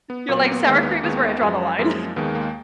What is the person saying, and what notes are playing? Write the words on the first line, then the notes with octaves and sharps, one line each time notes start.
You're, like, "Sour cream is where I draw the line."
B3
A#2 F#3 A#3
B3
A#3
B3
A#3
D#2 D#3 G#3 B3
A#3
B3
A#3
D#2 D#3 G#3 B3
F#2 F3 G#3
F#2 F3 G#3 A#3
D#2 D#3 G#3 B3
A#3